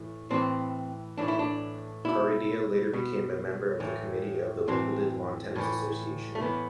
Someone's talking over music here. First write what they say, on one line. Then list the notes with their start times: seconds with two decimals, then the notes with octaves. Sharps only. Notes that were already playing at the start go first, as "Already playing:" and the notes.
Caridia later became a member of the committee of the Wimbledon Lawn Tennis Association.
Already playing: A2 E3
0.30 A2 E3 C4
1.18 A2 E3 D4
1.28 E4
1.39 D4
2.05 B2 E4
2.93 B2
3.80 A2 E3
4.68 A2 E3 C4
5.56 A2 E3
6.35 A3
6.41 A2 E3 B3